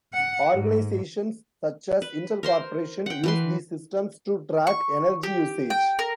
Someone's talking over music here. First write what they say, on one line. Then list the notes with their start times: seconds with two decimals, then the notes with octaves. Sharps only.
Organisations such as Intel corporation use these systems to track energy usage.
0.14 F#5
0.53 G#2
2.02 B4
2.43 A#4 C5 C6
3.06 F#5 G5
3.24 E3 B4 C6
4.67 C#6
5.23 G4
5.70 G5
5.99 A#4